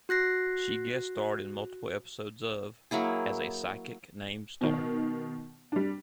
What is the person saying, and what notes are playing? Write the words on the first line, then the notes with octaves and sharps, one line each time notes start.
She guest starred in multiple episodes of "" as a psychic named Starr.
F#4 F#6 A#6 C7
F#3 A#3 E4 G#4
B2 D#3
G3 D4